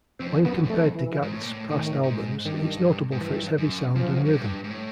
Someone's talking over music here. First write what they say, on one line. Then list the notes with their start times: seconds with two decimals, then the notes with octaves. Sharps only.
When compared to Gackt's past albums, it's notable for its heavy sound and rhythm.
0.19 F2 C4
0.44 F#2 B3
0.63 F#2
0.70 F2 A3
0.94 E3
1.22 G#2
1.32 A2
1.43 A#2
1.51 A2
1.69 A2 D#3
2.03 A2
2.08 G#2
2.45 G2 D#3
3.12 G#2
3.20 G2 E3
3.58 F#2
3.95 F#2 F3
4.25 F#2
4.33 G2
4.64 G#2
4.71 A2